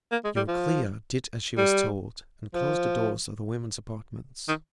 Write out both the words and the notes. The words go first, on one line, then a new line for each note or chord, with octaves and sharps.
Euryclea did as she was told and closed the doors of the women's apartments.
A#3
G#3
G3
F3
G3
F3
D#3